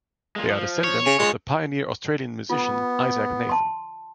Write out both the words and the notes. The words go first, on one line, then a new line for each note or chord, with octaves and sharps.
They are descendants of the pioneer Australian musician Isaac Nathan.
G#3 A#3 F4
F3
C#5
C#3 G#5
G#3 F4 G#4
B3 F4
A5 C6